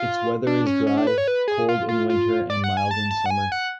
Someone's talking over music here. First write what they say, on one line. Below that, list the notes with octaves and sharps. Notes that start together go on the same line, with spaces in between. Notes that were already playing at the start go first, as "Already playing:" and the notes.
Its weather is dry, cold in winter and mild in summer.
Already playing: F4
D4
C#4
C#4
D4
B4
C#5
B4
G#4
F4
F4
F4
D5
F#5
G#5
A5
A5
F#5
G#5
F#5